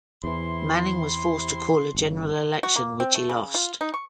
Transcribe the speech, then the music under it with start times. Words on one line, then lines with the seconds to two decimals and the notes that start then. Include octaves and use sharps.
Manning was forced to call a General Election which he lost.
0.24 E2 C3 E3 E4 C6
1.95 G1 C#3
2.63 F#4
2.76 A#3
3.00 C4
3.15 A3
3.29 C#3
3.54 F4
3.81 D#4
3.94 C#6